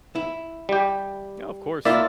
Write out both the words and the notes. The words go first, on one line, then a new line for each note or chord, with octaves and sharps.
No, of course.
E4
G3 G4
A#3 E4 F4 D5 E5